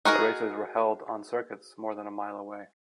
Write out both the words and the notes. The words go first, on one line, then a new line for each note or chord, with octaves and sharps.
The races were held on circuits more than a mile away.
D#4 F#4 G#4 A#4